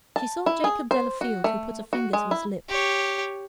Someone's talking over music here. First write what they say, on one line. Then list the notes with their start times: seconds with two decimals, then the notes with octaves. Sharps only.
She saw Jacob Delafield, who put his finger to his lip.
0.16 A5
0.46 E4
0.64 G#4
0.91 C5
1.21 F#4
1.44 A3
1.93 F#4
2.13 G#3
2.31 E4
2.68 G4 C#5